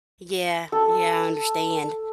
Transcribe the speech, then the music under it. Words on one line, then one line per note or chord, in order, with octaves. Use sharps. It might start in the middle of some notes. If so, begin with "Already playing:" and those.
Yeah, yeah, I understand.
A4